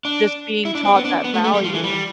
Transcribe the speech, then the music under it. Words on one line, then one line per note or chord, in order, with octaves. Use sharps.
just being taught that value.
D4
E4
D4
C4
B3
D4
B3
A3
A3
G3
F3
E3
G3